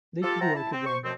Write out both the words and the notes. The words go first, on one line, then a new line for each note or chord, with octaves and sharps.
They could work again.
F4 G4 A4
C5 E5 F#5 G5 A5 A#5
E4 A5
C4
C5 C#6
F#2 B2 F3 A3 C4